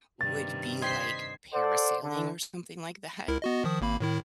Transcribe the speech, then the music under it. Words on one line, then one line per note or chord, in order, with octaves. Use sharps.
would be, like, parasailing or something like that.
G2 C3 D#3 A6
C5 D#5 G5 G#6 B6 C7
A4 C5 D5 F#5
D3
C#2 E4 A#4
B3 F#4 D#5
D#3 F3 D#6
G#1 A#3 B5
A2 D#3 E4